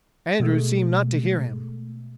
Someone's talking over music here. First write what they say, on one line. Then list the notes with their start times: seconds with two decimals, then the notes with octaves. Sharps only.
Andrews seemed not to hear him.
0.40 B2 G#3 A3